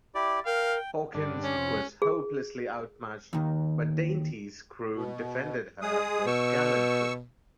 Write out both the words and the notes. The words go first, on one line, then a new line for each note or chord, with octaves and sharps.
Hawkins was hopelessly outmatched, but "Dainty"'s crew defended her with gallantry.
E4 G4 D5
A#4 F5 G5
G2 D3 D4
C#4
F2 C3
G#4
D#2 D#3
B2
G#3 G#4 D#6
B2 C#6 E6